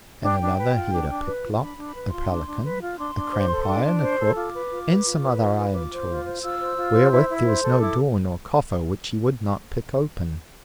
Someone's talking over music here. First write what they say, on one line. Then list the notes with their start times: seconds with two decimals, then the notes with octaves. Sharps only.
In another he had a picklock, a pelican, a crampiron, a crook, and some other iron tools, wherewith there was no door nor coffer which he would not pick open.
0.23 D4 G5
0.40 D4
0.58 B4
0.74 F4
0.92 D4
1.10 D4
1.26 B4
1.44 F4
1.61 D4 B5
1.78 D4
1.84 B5
1.95 B4
2.07 C6
2.13 F4
2.30 D4
2.47 D4
2.64 B4
2.82 F4
2.98 D4 C6
3.16 D4
3.33 C5
3.50 A4
3.67 D4
3.84 D4
4.02 C5
4.19 A4
4.36 F4 D6
4.53 B4
4.71 F4
4.88 B4
5.05 F4
5.22 B4
5.39 F4
5.57 B4
5.74 F4 D6
5.91 C5
6.09 F4
6.26 C5
6.43 F4 E6
6.60 C5
6.77 F4
6.94 C5
7.11 E4
7.29 E4
7.46 C5
7.63 A4
7.80 E4 D6